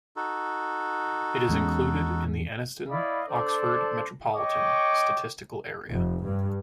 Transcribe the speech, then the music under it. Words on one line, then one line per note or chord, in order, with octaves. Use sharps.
It is included in the Anniston-Oxford Metropolitan Statistical Area.
D#4 F#4 A4
E2 G#3 C#4
E4 D5 D#5 F5 B5
D4 A4 C5 D5
C#5 D#5 G5 C#6 D6
F1
G2